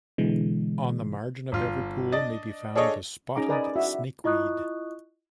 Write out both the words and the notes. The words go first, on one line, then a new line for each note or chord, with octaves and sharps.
On the margin of every pool may be found the spotted snakeweed.
B2 D3 E3 G#3
G1 F4
D4 D#5 A6
D4 G#4 A4 C#5 D#5
C#4 D#4 G#4 A#5 D6
A#4 B4 D5 D#5 G#5
E4 F#4 E5
E4 F4 D#5 C#6 D#6 F#6